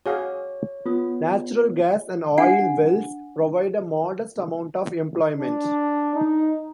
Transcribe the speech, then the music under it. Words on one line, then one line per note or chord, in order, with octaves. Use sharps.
Natural gas and oil wells provide a modest amount of employment.
F#4 G#4 C#5 F5 D6
B3 F4 D#6
D4 F#5 G#5
D4
D#4